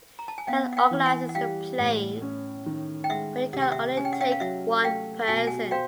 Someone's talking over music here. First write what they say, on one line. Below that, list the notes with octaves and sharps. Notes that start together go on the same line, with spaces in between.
Cad organises the plane, but it can only take one person.
A#5
A5
G#5
B3 F5 G5
F#5
F5 G5
E3
F#5 G#5
F#5
G3 F5 G5
A2
C#4
D#3
G5
G#3 E5 F#5
C3 F#5
G5
E5 F#5
C#4 G#5
G5
F#5
F5 G5
F5
F#3 E5 F#5
A3 F5 G5
B2 G#5
A5
F#5 G#5
C5 F5 G5